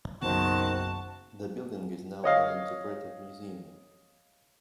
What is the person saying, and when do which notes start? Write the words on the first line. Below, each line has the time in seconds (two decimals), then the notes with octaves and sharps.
The building is now an interpretive museum.
0.22 F#1 B1 D#3 F#4 C5 A5
2.24 C#5 D#5 F5